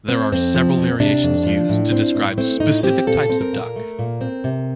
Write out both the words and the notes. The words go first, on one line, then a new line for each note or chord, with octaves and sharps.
There are several variations used to describe specific types of duck.
C4
F2 C4
F3
F2
C3 D4
F2
F3
A2
C4
A2
A3 C4
A2 D#4
C4 G4
A#2 A4
C4
A#4
A#2
A3
A#2
C4
C3